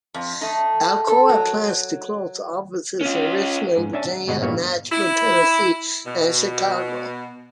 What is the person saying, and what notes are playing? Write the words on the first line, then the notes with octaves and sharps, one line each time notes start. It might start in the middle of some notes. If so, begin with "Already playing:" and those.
Alcoa plans to close offices in Richmond, Virginia; Nashville, Tennessee; and Chicago.
F2
A3 D#4
A4
F#3
C#4 F4
G#2
C#4 D4 E5 G#5 A5
F#5
G1 B2 G#3 D#5 F#5
A#1 G2 E3 A#3 B3 C#5
E4
B2